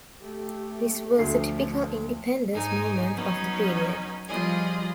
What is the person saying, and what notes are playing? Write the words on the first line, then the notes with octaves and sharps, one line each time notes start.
This was a typical independence movement of the period.
A3 G4
D2 F3 A3 D4 A4 C7
G#2 D#4 G#5
F#3 B3 C#4 D#4
F3 G3 F4 G#4 D#5